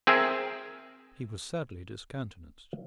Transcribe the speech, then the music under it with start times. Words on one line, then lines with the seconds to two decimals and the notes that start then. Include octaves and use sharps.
He was sadly discountenanced.
0.07 C4 G#4 A#4 E5